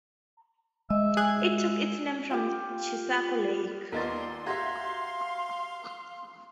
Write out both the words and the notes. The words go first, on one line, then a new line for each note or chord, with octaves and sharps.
It took its name from Chisago Lake.
G#3 D#5 E5
G#4 F#6 G#6
F4 G4
D#2 B3 F4 A#4 D5 D#5 C6 A6
F#4 G4 E5 F5 A#5 G#6 A#6